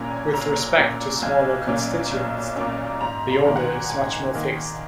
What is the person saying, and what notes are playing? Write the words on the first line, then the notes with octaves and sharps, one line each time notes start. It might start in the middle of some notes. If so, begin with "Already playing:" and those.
With respect to smaller constituents, the order is much more fixed.
Already playing: A#1 A#2 A#3 C#4 G#5 A#5
G#5
A#1 A#5
A#2 A#3 C#4
B1 G#5
A#2 A#3 C#4
B1
A#2 A#3 C#4
G#2 A#5
A#5
D#3 A#3
F#5
G#5
G#2 G#5
D#3 A#3